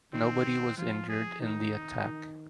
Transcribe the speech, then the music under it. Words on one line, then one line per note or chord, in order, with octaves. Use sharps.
Nobody was injured in the attack.
D#3 C4
F3 F4
G#4
D#3 D#4
D#3